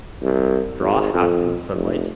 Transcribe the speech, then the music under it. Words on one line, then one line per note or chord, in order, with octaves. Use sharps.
Straw hat in sunlight.
C2
G#1
F2
F1